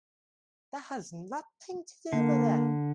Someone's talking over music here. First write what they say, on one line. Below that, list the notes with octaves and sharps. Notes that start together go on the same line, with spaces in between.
That has nothing to do with it!
D3 A#3